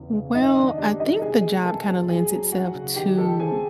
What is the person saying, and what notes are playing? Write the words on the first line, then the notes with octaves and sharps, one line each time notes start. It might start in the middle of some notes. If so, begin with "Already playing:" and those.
W well, I think the job kinda lends itself to
Already playing: E2 C#3 E3
C#3
F#2 D#4 D#5
D#3 D4 D5
G3 D4 D5
G3 D#4 D#5
C3 G#4 G#5
A3
E3 A4 A5
C4
F#3 G#4 G#5
F#3
F#3 F#4 F#5
C#3
D#3 G4 G5
G#3 A4 A5
C4 G#4 G#5